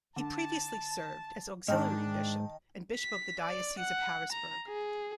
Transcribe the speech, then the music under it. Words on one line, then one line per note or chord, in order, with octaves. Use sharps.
He previously served as Auxiliary Bishop and Bishop of the Diocese of Harrisburg.
D3 A5
G#2 D#3 D4 D#5 G5 A5 F6
B6
D5
F#5
A#5
G#4